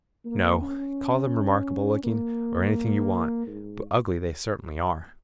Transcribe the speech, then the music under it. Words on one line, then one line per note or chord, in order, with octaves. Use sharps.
"No! Call them remarkable-looking or anything you want--but ugly they certainly are."
A#3
C#4
A#3
G#2